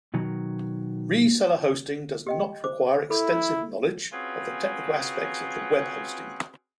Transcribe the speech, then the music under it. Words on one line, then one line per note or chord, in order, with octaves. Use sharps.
Reseller hosting does not require extensive knowledge of the technical aspects of web hosting.
B2 D#3 F#3
G4 D#5 G5
C5 D6
E4 A4 B5
C4 C#4 F4 F#4 G#4 B4